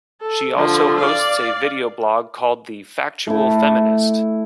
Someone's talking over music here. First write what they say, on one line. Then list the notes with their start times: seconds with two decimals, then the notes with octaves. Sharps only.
She also hosts a video blog called "The Factual Feminist".
0.21 A4
0.53 D3 F3
1.00 D5 F5
3.27 A3 E4